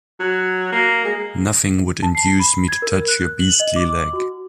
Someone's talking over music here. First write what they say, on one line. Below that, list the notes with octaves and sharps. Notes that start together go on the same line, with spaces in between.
Nothing would induce me to touch your beastly leg.
F#3
A#3
G#3
A5
C7
B5
G#6
A#4
F#6
F#7
D#5
D6
F#4